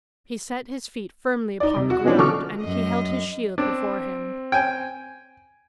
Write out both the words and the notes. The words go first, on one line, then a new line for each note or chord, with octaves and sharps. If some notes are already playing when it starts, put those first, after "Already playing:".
He set his feet firmly upon the ground and he held his shield before him.
D#4 D5
C3
F#4
B2 E3 F3 C#4 D4
D3 F#3 A4 C#6 D6 F6
F#2 D#5
C4 D4
G5 G#5